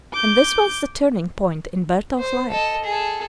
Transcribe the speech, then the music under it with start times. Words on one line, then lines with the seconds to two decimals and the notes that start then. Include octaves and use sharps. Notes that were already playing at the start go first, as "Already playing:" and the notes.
And this was the turning-point in Bertel's life.
0.13 D6 G6
2.19 C5
2.50 A4 D#5
2.84 G#4 A4